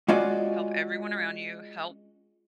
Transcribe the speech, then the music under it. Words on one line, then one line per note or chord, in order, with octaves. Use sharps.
help everyone around you, help
G#3 C#4 F4 F#4 D5 D#5